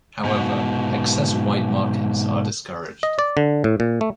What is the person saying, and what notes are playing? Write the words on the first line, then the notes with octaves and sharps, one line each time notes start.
However, excess white markings are discouraged.
G#2 B2
D#5
D5
D3
A2
A#2
A3